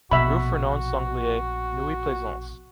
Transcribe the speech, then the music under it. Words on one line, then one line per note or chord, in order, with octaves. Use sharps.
Rue Fernand Sanglier, Neuilly-Plaisance.
A#1 B2 F#4 E5 B5